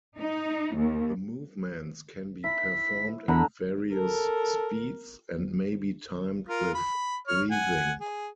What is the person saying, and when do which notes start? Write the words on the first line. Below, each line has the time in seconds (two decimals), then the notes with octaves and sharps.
The movements can be performed at various speeds and may be timed with breathing.
0.18 D#4
0.76 D#2
2.44 E4 B6
3.28 E2 D3 A#5 B5
3.93 A4 A#4
6.49 F4 A#4
6.75 B5
7.27 C#5 F6
7.51 F#5 G#5
8.01 G#4